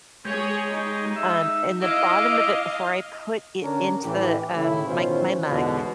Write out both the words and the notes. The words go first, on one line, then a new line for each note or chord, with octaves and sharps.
Um, in the bottom of it, before I put it into the, um, my c my mug,
G#3 G4 G#4 C#5
D#4
E5
E4 D#5 F5 D6
D3 C#4 D4 A#4
A2 E3 G4
A2 C#3 E4
A1 B2 D#3 C#4 F4 C5
A1 E2 G#2 B2 D3